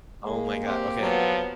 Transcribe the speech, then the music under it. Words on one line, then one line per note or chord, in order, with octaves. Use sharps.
Oh my god. Okay.
G#3 A#3
C4 G4
F3 F#3 B3